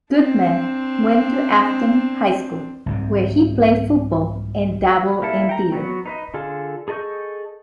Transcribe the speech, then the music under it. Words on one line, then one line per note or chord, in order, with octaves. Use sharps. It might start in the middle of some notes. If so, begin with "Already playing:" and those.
Goodman went to Affton High School, where he played football and dabbled in theater.
C4 D4
C2 G#2 C3
A#3 E4 A4
G5 A#5
F#3 B3 F#4
D#4 B4 D#5
D3 F4 G#4 A4
G#4 A4 D#5 C#6 G6